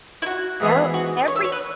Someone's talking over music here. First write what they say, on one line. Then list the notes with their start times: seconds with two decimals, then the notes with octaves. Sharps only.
Yep, every
0.22 E4
0.26 F#4
0.60 G#2 E3 B3 G#4
0.94 F#4
1.28 C#5
1.36 E5
1.44 C#5
1.52 B4